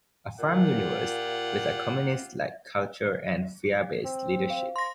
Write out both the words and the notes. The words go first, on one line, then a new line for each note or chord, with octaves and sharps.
A farm universe, with a communist like culture and fear based leadership.
A#2 F4 G4 F#5
C4
C5 F5
C6 A#6